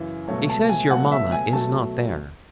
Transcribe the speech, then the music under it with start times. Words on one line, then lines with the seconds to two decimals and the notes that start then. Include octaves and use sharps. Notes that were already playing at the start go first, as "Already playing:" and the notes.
He says your mamma is not there.'
Already playing: F#2 C#3 E3
0.28 C#2 B2 F#3 A3 C#5
0.49 A5
0.69 G#5
0.91 C#2 B2 F#3 A3 F#5
1.12 E5
1.32 G#5
1.53 B2 F#3 A3 A5